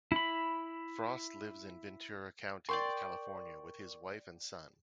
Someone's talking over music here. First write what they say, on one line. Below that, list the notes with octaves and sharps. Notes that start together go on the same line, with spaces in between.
Frost lives in Ventura County, California with his wife and son.
E4 B5
A#4 D5 G5 C6 C#6